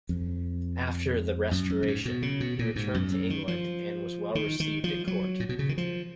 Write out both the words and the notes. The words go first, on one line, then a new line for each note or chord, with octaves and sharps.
After the Restoration he returned to England, and was well received at court.
F2
F#2
F#2
A#2
G#2
B2
C#3
B2
A#2
G#2
F#2
F#2
D#3
F3
D#3
D#3
F3
F#3
A#2
B2
C#3
D#3
F3